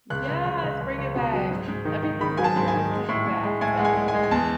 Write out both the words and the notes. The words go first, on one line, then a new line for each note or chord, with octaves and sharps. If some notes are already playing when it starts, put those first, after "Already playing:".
Yes, bring it back. Everything retro is coming back, so
C#2 F#6
C#2
C#2
C#2
C#2
C#2
B2
F#3
G#2
G#2
D#3
D#3
D#3 B5
F#3 G#5
A5
G#2
G#5
D#3
G#3
A2
A2
G#3
A2 G#5
G#3 F#5
G#5
G#3
G#5
G#3
G#5
E2 A5